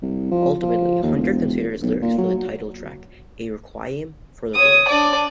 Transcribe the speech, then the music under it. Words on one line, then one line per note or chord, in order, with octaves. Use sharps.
Ultimately, Hunter considered his lyrics for the title track a requiem for the ruler.
C2
F3
F3
D#2
E1
B1
A#2
F#3
C#5 D#6
D4 D5